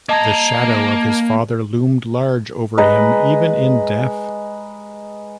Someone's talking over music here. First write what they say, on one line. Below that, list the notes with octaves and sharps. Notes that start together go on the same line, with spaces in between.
The shadow of his father loomed large over him even in death.
A#3 D#5 A5 A#5 G#6
G#3 B4 D#5 A#5